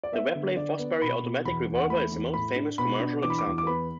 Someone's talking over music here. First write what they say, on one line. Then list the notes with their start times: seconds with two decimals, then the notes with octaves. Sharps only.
The Webley-Fosbery Automatic Revolver is the most famous commercial example.
0.03 D5
0.12 B3 E5
0.35 D3
0.57 D3 D5
0.79 B3
1.02 B2 B5
1.23 B2
1.45 E2 B5
1.68 E2
1.75 F#5
1.90 A3 B5
2.12 E2
2.34 A2 B5
2.56 D4
2.78 B2 B5
3.00 D4
3.23 E3 D6
3.30 B5
3.38 D6
3.45 E2
3.58 D6
3.67 B3 B5